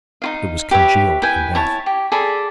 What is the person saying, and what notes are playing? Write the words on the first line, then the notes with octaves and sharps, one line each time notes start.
It was congealed in death.
D#4 F4 F5
G4 B4 C#5 E5
E4 B4 G5 G#5
E4 C#5 A5
G4
G#4 A4 D5 B5